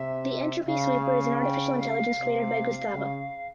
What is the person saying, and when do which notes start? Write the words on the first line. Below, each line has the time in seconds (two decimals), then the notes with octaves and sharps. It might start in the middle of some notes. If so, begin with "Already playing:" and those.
The Entropy Sweeper is an artificial intelligence created by Gustavo.
Already playing: C3 E5
0.67 C#3 F5
1.41 G5
1.79 F5
2.17 C3
2.92 C#3